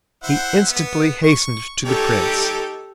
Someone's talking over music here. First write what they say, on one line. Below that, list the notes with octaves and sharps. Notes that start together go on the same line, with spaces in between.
He instantly hastened to the Prince.
E4 C5 F#5
B3
C#6
G3 D#4 G4 A4 C#5